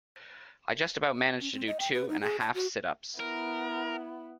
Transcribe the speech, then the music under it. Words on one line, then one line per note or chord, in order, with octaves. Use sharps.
I just about managed to do two and a half sit-ups.
C#4
C4
D#5
G5
B4
D#4
G#4
A5
F#4
B3 E4 A#4